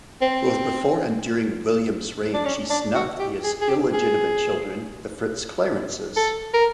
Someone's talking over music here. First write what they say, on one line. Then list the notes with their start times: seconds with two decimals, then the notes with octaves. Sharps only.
Both before and during William's reign, she snubbed his illegitimate children, the FitzClarences.
0.22 C4
2.34 D4
2.45 C#4
2.70 D4
2.95 F#4
3.19 G4
3.44 G#4
3.61 G#4
3.68 G4
3.93 G#4
6.17 A4
6.54 A#4